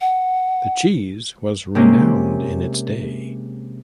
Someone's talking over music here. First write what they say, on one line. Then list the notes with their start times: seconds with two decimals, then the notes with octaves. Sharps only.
The cheese was renowned in its day.
0.01 F#5
1.75 C3 G#3 A#3 C#4